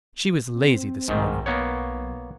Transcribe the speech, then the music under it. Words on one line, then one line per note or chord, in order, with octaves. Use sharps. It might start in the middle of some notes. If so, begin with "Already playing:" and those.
"She was lazy this morning!"
C4
B1 G#2 D#3
A#3 B3 C#5